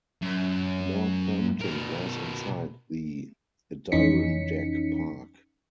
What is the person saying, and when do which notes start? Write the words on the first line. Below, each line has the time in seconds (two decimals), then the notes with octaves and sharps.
Northampton lies inside the Adirondack Park.
0.22 F#2
1.61 B2 A#4
3.92 F2 E3 C#4 D#4 B6 C#7